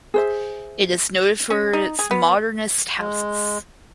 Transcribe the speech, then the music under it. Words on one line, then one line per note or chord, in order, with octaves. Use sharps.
It is noted for its modernist houses.
G#4 C5 E5
C#4
D#4
G#4
B3
G#3